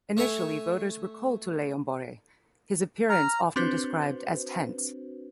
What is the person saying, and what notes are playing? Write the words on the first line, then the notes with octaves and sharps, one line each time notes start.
Initially, voters were cold to Leijonborg, his appearance often described as tense.
A3 C#5 E5 G#5
A#5 F6
C4 D4 F#4 B4 C5